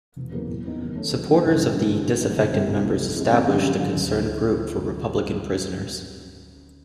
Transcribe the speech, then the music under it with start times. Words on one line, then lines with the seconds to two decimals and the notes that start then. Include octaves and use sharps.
Supporters of the disaffected members established the Concerned Group for Republican Prisoners.
0.16 E1
0.32 E2 C#3 F#3 A#3
0.48 A2
0.64 F#3 B3 D#4
0.80 D#2
0.95 D#3 F#3 A3 C#4
1.11 D#3
1.27 F#3 A#3 D4
1.43 G1
1.58 G2 D3
1.74 G2
1.89 D3 G3
2.06 A1
2.21 G#2 F3
2.37 G1
2.53 G2 E3 G3 C4
2.69 C2
2.84 C3 E3 A3
2.99 F2
3.16 C#3 F3 G#3
3.32 G#1
3.47 F#2 D3 G3
3.63 G#1
3.79 F#2 D3
3.95 D2